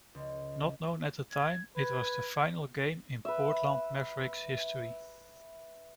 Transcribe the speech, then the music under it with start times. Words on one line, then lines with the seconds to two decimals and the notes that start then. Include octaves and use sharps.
Not known at the time, it was the final game in Portland Mavericks' history.
0.15 C#2
1.31 G#6
1.76 B4 G#6
3.25 B4 E5